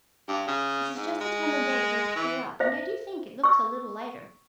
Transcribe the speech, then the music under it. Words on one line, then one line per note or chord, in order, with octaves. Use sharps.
This is just the time of day for it to clear up, and I do think it looks a little lighter.
G2
C#3
G#2
G#3
E3
C5 E5 F5
C#6 E6